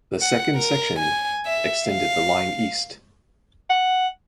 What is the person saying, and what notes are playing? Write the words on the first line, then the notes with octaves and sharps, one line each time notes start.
The second section extended the line east.
F#5
A#4
G#5
E5
F5
F#5